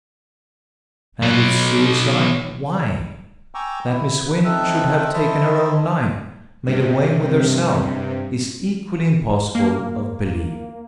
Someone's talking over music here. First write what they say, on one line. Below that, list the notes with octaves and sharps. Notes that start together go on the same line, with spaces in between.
And if suicide, why? That Miss Wynn should have taken her own life--made away with herself-- is equally impossible of belief.
B2 F#3
G5 G#5 A#5 C#6 D6 E6
E4
B4
C4 D#4 A4 E5 E6 F#6
E4 C5 D#5 E5 A5
G2 C3
A#3